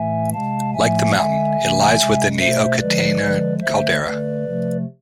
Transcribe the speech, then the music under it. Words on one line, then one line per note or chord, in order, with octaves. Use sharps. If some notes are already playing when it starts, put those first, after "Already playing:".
Like the mountain, it lies within the Okataina caldera.
Already playing: A2 E3 A3 E5 G#5
C3 G#3 F5 A5
A2 F3 A3 E5 G#5
D3 G#3 E5 G#5
C3 E3 A3
C3 G#3
B2 A3 C5 E5
D3 F3 G#3 B4 D5
D3 F3 G#3
D3 A3 C5 E5
D3 A3 B4 D5
C3 F3 A3